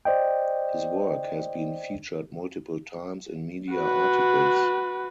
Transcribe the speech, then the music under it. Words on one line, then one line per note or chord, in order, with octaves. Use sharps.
His work has been featured multiple times in media articles.
C5 D5 D#5 G5
F#4 B4